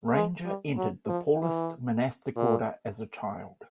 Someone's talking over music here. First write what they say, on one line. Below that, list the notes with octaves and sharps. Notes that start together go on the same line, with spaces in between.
Ranger entered the Paulist monastic order as a child.
G#3
G3
F#3
F3
E3
A#2